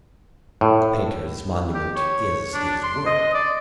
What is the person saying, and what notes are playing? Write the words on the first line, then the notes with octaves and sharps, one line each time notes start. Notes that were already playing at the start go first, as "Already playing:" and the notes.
A painter's monument is his work.
A2
G4
C#5
D4
C6
D#5
D5